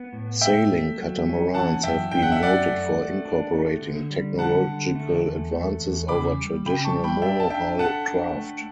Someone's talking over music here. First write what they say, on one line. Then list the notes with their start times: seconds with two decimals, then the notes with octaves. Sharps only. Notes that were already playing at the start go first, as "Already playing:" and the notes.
Sailing catamarans have been noted for incorporating technological advances over traditional monohull craft.
Already playing: B3
0.13 A2
0.41 A3 E5 G5
0.70 A3
0.98 F#3
1.26 C#4
1.54 E3 F#5 A5
1.83 F#2 E5 G5
2.11 D4 G5
2.22 F#5
2.32 E5
2.40 F#2 D5 F#5
2.68 A3
2.96 A3
3.25 D4
3.53 A3
3.82 D3
4.10 G3
4.38 D3 F#5 A5
4.67 D3
4.95 A3
5.24 E2
5.52 A3
5.80 E2
6.08 C#3 B5 D6
6.37 G3
6.65 C#3 G5 B5
6.84 A5 C#6
6.94 G3
7.04 G5 B5
7.22 D5 E5 G5
7.40 A5
7.50 D4 E5 G5
7.79 A4 F#5 A5
8.08 D4
8.36 A3